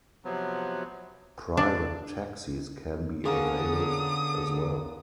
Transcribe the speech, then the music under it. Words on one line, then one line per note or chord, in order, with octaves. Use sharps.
Private taxis can be availed as well.
C3 F3 F#3 B3
D4
D3 A#3 B3 C#4 G#4 D#6